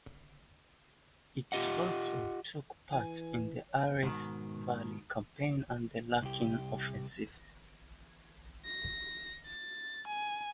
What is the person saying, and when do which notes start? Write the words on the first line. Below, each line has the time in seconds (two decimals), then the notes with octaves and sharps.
It also took part in the Aras Valley campaign and the Lachin offensive.
1.52 F4 G4 D#5 F#5
2.92 E3 G#5
4.03 G#2 B2 D3 D#3
6.22 C2 G4
8.66 A#6
9.46 A6
10.07 G#5